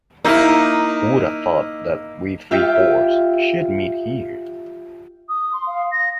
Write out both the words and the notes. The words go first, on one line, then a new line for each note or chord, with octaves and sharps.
Who would have thought that we three whores should meet here.
A#3 D#4 E4 F5
F4 G4 E5 G5
D#6
C6
F5
A#6